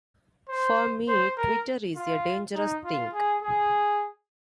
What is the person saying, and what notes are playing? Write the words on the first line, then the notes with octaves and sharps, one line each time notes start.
For me Twitter is a dangerous thing.
C5
C5
A#4
F4
D#4
F4
G#4
G#4